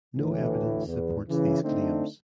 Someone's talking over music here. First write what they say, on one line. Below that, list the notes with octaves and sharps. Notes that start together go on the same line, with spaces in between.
No evidence supports these claims.
D2 A2 E3
E2
C#3 E3
D3 A3 C4 D4 D#4